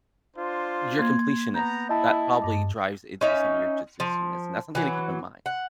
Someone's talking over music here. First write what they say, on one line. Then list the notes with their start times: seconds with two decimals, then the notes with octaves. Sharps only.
you're completionist; that probably drives into some of your jujitsu-ness, and that's something to keep in mind,
0.37 D4 F4 C5
0.99 A#3 C6 G#6
1.54 B3 A#5 G6
1.89 E4 D#5 A5
2.42 G2 D6
3.21 C#4 D#4 E5
4.00 F3
4.75 E3 F#3
5.46 F#5